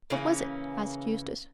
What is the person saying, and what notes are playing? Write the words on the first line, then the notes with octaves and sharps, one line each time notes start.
"What was it?" asked Eustace.
C#3 E3 A#3 C#4